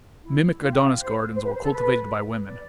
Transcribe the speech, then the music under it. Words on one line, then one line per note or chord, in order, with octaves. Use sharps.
Mimic Adonis gardens were cultivated by women.
E4
F4
G4
F4
C5
C5
B4
C5
A4
B4
D5